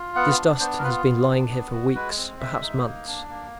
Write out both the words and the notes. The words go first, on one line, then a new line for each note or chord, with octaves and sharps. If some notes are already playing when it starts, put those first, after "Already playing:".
This dust has been lying here for weeks, perhaps months.
Already playing: F4
B3 F#5
D4
B3 C5
A#4
F4 B4
B3
D4
B3
F#4
G#3 B4
C4
G#3 E5
D#4
A#3
D4
A#3